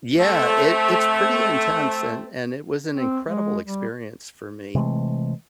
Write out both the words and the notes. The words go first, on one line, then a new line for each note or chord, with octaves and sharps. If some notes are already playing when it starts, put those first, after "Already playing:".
Yeah, it, it's pretty intense, and and it was an incredible experience for me.
A3 C4
C4
G#3
G3
C3 E3 G#3 A3